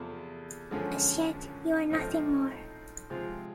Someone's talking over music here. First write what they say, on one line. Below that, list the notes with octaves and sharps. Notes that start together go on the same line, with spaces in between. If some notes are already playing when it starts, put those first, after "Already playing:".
As yet, you are nothing more.
Already playing: E2 C3 F3 A3
F#2 D3 F3 G#3 C#4
A2 F3 A3 C4 D#4
C3 F3 G#3 C4 F4